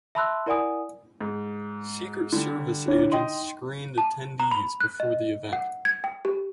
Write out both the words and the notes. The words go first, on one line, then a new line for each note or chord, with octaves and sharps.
Secret Service agents screened attendees before the event.
E5 A5 B5 C6 E6 F#6
E4 A#4 D5 F#5 G#5 D#6
G#2
D3 G3
D4 E4 C#5
D#4 D#5 G5 C6
A5
A#5
B5
F#6
D#5
F#5
G#6
G5
G4